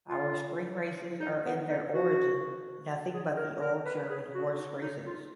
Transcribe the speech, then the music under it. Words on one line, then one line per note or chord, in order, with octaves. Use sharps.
Our spring races are in their origin nothing but the old German horse-races.
F4
D#4
B3
D#4
F#4
G#4
A#4
A#4
B4
G#4
F#4
D#4
D#4
F4